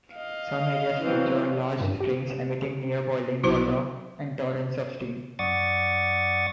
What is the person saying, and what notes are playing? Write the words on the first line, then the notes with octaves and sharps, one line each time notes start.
Some areas feature large springs emitting near-boiling water and torrents of steam.
D#5 F5
E3 F#3 C4
G2
G4
B1 E4 F#4 C5
F#2 D5 F#5 C#6 D#6 A6